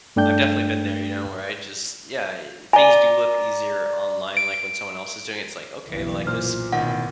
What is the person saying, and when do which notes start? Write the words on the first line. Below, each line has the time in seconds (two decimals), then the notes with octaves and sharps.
I've definitely been there, you know, where I just yeah, I I things do look easier online, like, when someone else is doing it. It's like, "Okay, like, this
0.16 G2 A3 D4 G5 G6
2.73 D5 G#5 A#5
4.37 D7
5.87 F#1 B1 E3
6.27 A#2 C5 F6
6.73 A1 B2 D#3 F#5